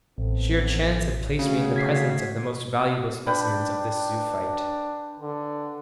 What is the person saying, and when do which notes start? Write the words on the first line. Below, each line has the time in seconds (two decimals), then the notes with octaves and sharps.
Sheer chance had placed me in the presence of the most valuable specimens of this zoophyte.
0.18 A1 B3 C4 A4
1.39 C#3 E3 A3 F#4
1.76 G#6 B6 C7
3.26 D4 B4 G5 B5
5.20 D3